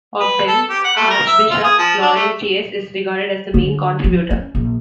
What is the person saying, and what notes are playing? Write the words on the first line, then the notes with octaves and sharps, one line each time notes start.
Of them, Archbishop Laurentius is regarded as the main contributor.
B4
A4
G4
F#5
A3
A#4
E5
F4
G#4
F3
D4
A3
D3
F3
C#4
A#1